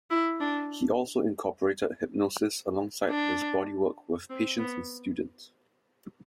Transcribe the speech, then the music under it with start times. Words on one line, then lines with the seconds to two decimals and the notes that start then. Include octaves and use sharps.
He also incorporated hypnosis alongside his bodywork with patients and students.
0.10 E4
0.40 D4
3.10 D4
4.30 C4
4.59 B3